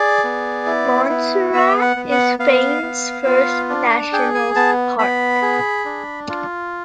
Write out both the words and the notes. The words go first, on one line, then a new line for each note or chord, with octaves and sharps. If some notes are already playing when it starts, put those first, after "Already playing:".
Montserrat is Spain's first National Park.
Already playing: G#4 D5
B3
E4
B3
B3 E5
F#5
B3
F#5
B3 F5
B3
F4
D4
G#4 G5
G#5
B3 A5
B3 B5
G#4
D4
F4